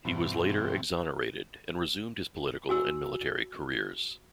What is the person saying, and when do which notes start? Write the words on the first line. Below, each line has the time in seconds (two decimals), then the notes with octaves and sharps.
He was later exonerated and resumed his political and military careers.
0.05 G2 B2 E3 C4
2.69 F#4 G#5 E6